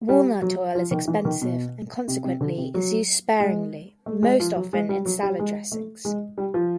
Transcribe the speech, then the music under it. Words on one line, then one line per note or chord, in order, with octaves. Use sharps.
Walnut oil is expensive and consequently is used sparingly; most often in salad dressings.
G3
F#3
F3
D#3
E3
D#3
B2
C3
C3
D3
C3
F#3
G#3
A3
G#3
F3
F#3
G#3
G3
F#3
G3
G#3
A3
G#3
G3
F3